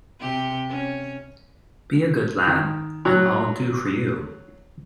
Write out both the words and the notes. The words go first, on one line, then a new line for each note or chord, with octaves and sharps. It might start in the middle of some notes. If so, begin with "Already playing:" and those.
Be a good lad; and I’ll do for you.
C3 G4
C#4
D#3
F#3